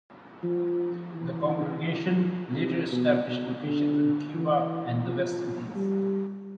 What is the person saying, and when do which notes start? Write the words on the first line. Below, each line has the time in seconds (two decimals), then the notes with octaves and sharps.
The congregation later established locations in Cuba and the West Indies.
0.43 F3
1.15 E3
2.56 C3
2.92 B2
3.27 B2
3.63 D3
4.34 E3
5.05 F3
5.75 G3